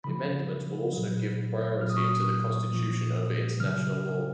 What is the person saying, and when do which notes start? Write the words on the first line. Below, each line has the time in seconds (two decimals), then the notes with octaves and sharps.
The amendments will also give priority to the Constitution over international law.
0.04 C#3 F3 B5
0.93 A#2 F#3
1.81 A#2 F#3 F6
1.90 D#6
1.97 C#6
2.05 D#6
2.71 A#2 F3
3.60 C#3 F#3 F6